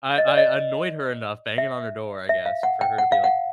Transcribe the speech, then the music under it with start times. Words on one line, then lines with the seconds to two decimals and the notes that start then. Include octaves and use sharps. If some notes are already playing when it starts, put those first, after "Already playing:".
I I annoyed her enough banging on her door, I guess, for her to be like,
0.18 D#5
0.28 D5
0.37 D#5
1.58 E5
2.29 E5
2.46 F5
2.63 F#5
2.81 G5
2.98 F#5
3.12 F5
3.24 F#5